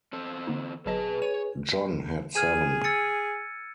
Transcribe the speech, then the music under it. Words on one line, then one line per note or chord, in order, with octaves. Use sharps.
John had seven.
E2 C4 A4
D3 A#3 D#4
G1 B2 F#3 G#4 B4 D#5 A5
C#5 D#7
G#4 F6 G#6 D#7
E6 A6 C#7